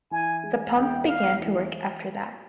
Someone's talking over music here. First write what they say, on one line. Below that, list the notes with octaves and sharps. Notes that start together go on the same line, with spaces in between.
The pump began to work after that.
E3 G#5
G#3
E2 G5
E2 F5
E3